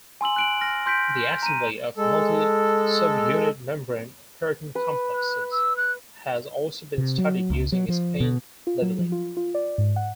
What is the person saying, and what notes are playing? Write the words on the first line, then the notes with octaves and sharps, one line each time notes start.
The assembly of multi-subunit membrane protein complexes has also been studied using spin labeling.
G#5 C6 E6 F#7
F#6 D7 F#7
F6 A#6
C6 G6 B6 D7
A#5 D#7
G#3 A4
B4
F#6
E6
F#6
C3
F#3
C#2
F#3
F3
B2
F4
F#3
F3
F4
F4
D5
G#2
F#5